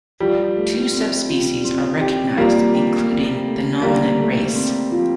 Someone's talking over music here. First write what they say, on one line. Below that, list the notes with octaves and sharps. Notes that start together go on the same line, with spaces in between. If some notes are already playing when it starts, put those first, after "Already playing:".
Two subspecies are recognized, including the nominate race.
F3 G3
A3
C4
F3
C4
G4
F3 G3 A#3
G4
C4
A3
D3 G3 A#3
A3
C4
F3